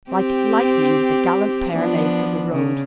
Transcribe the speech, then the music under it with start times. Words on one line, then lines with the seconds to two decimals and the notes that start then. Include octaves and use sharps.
Like lightning the gallant pair made for the road.
0.11 C4 G4
1.71 F3 B3 D4
2.52 C#3